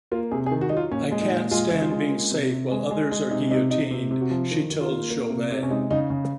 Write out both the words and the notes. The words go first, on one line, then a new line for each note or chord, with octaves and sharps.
"I can't stand being safe while others are guillotined", she told Jouvet.
A#3 F4
C3 G#4
G#4
D#3
F#4
F#3 D#4
F4
A#2 C#4
G#3
D#4
A#2
G#3 F4
C#3
F4
G#3
A#3
C3
C3
G#3
G#3
G#3
C3 D#4
C3 D#4
C3 D#4
C3
C3
F#4
F3
D#3
D#3
F4
A#3
A#3
C3
C3
C#4
G#3 D#4
C#3 D#4
C#3